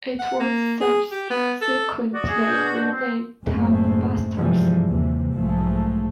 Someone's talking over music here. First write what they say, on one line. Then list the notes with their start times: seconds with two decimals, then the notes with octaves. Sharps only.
It was subsequently renamed "TimeBusters".
0.19 F#5
0.40 A#3
0.81 G#4
1.12 G4
1.30 B3
1.61 A4
2.14 F#4 D5 D#5
2.28 G#4
2.48 B2 D4 G6
2.92 C4
3.44 F#1 A2 G#3 A3 C4
4.36 G2 C3 E3 F3 G3 G#3
4.85 D#2 C3 E3
5.33 B1 G#2 F3 G#3 A3